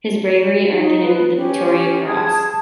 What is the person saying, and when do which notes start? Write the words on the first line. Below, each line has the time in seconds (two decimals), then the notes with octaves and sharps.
His bravery earned him the Victoria Cross.
0.72 D#4
1.01 B4
1.34 C#4 G4
2.07 G#4 A5 D#6 G#6